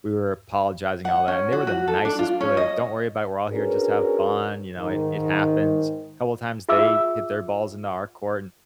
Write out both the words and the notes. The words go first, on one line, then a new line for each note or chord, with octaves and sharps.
we were apologizing and all that, and they were the nicest people, like, "Don't worry about it, we're all here, just have fun, you know, it it happens." A couple of times they hit their balls into our court, and
F#5
C#4
F#4
F#4
A4
D4
F4
C#4
D#5
C#4 D4 F#4 G#4 A#4 B4
G#2 D#3
F4 G#4 E5 D6 E6